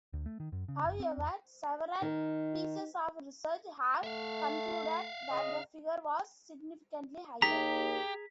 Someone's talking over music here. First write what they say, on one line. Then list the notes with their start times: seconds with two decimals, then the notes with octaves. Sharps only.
However, several pieces of research have concluded that the figure was significantly higher.
0.13 D2
0.26 A3
0.40 D#3
0.52 F#2
0.68 C#3
0.84 F#1
1.00 C4
1.18 E2
2.02 D#3 D#4
4.03 A3 E5 F5
5.30 C#3 D#5
7.42 D#2 G4 G#4 A#5 B6